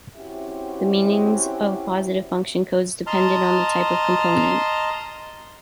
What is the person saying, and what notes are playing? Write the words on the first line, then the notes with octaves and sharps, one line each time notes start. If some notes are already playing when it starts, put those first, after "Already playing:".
The meanings of positive function codes depended on the type of component.
C4 C#4 E4 F#4 G4 E5
D#5 A5 A#5 C6 F6